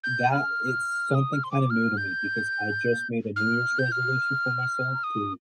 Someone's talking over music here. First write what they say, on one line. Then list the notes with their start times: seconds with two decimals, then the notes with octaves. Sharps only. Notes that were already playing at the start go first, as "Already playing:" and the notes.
that is something kind of new to me because I just made a New Year's resolution for myself to
0.04 G6
0.32 F6
1.15 D#6
1.33 F6
1.44 C6
1.51 D6
1.70 F6
1.97 G6
3.36 F6
3.79 G6
3.92 F6
5.04 D#6